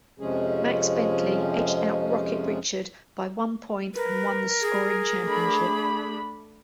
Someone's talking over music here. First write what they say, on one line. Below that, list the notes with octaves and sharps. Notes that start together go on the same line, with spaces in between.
Max Bentley edged out Rocket Richard by one point and won the scoring championship.
F2 C3 F3 G#3 C#4 G#4
A#4 B4
G#4
A3 D4 B5